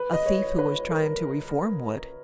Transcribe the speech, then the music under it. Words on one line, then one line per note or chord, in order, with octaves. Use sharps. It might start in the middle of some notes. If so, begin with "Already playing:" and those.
A thief who was trying to reform would.
Already playing: B4
D#5
C#5
B4
A#4